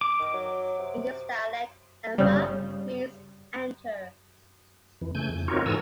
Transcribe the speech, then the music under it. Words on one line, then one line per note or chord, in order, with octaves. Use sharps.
In this dialect "Emba" means "enter".
D6
D#3
F#3
C3
G1 C#3 G3
F2 E3
C#3 A3 G#5 G6
F2
C4 D#4 F4 F#4 A#4 C#5
G#2 E3 A4 G#5 A#5 E6